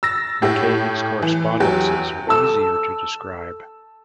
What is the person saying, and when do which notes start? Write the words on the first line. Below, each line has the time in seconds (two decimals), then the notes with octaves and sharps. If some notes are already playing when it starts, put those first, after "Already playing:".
McKay's correspondences are easier to describe.
0.03 E6 A6 A#6
0.42 A2 G4
1.22 E3
1.60 E2 F#3 G4
2.27 A4 A5 E6